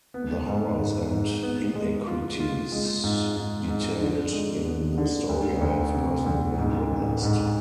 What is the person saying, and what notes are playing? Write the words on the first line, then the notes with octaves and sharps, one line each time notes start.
The horrors and inequities detailed in the story I have personally witnessed.
B3
G#2
G#2
G#2
B3
G#3
F4
F4
G#3
G#2
G#2
G#2
D3
G#3
B3
D3
D2
D2
C3
D2
G#2
A1
G#2